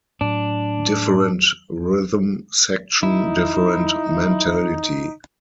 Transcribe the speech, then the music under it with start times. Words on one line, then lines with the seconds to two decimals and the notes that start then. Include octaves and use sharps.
Different rhythm section, different mentality.
0.21 A2 F#3 D4
3.03 D#4 E4